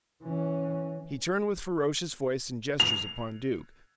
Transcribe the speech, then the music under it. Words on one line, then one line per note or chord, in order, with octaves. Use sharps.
He turned with ferocious voice and gestures upon Duke.
E3 C#4
F7